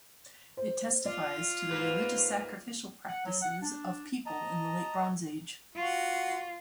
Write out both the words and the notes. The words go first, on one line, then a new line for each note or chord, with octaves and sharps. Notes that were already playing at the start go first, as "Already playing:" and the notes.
It testifies to the religious sacrificial practices of people in the late Bronze Age.
C5
F4 D5
G#2 A#3 B4
F#5
F#3
F#5
D4
D#5 A5 A#5
F4 F#4